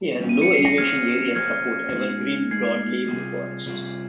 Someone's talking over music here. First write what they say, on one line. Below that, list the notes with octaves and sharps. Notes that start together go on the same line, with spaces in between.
Here low elevation areas support evergreen broadleaved forests.
G3 C#4 F4
D#7
C#7
C7
A#6
F3 A#3 C#4 G#4 C5 F6 G#6
F3 A#3 C#4 G#4 C5 F6 G#6
G#3 D#4 G#4
G#3 D#4 G#4 G#6 C7
C3 G3 C4 F4 G#4
C3 G3 C4 F4 G#4